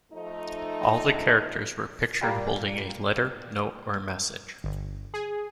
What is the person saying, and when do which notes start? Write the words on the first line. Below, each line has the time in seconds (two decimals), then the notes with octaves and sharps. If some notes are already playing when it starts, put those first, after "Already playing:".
All the characters were pictured holding a letter, note or message.
0.11 F3 A3 D#4
2.21 A#2 G3 A#3
4.64 G1
5.14 G#4